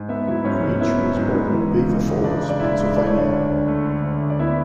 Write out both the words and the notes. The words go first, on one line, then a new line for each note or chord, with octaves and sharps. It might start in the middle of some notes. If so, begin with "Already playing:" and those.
Creach was born at Beaver Falls, Pennsylvania.
Already playing: G#2
B3 E5
F#3 E4 E5
G#2 C#4 C#5
G#2
B3 E4 E5
F#3
G#2
G#2
E3
C#3
C#2
C#2
E3 D4 D5
C#3
D5
C#2 E4 E5
C#2
A3 D5
C#5
D3 D4 D5
D2
D2
A3
D3
D2
D2
D5
B3 E4 E5